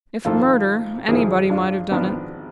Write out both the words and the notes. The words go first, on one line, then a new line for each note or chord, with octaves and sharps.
If a murder, anybody might have done it.
G#1 G#2 F3 F4 A4
G#1 G#2 F3 E4 G#4
D4 F4
G#1 F3 B3 D4